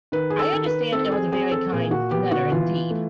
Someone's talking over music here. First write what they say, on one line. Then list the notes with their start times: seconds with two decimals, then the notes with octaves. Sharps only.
I understand it was a very kind letter indeed.
0.12 D#3 B4
0.30 G#4
0.39 A4
0.53 D#3
0.66 B4
0.92 C4 A4
1.05 A4
1.12 G#4
1.32 C4 G#4
1.51 A4
1.72 A#2 G#4
1.91 F#4
2.11 B3 G4
2.32 F#4
2.52 E3 F4
2.91 A3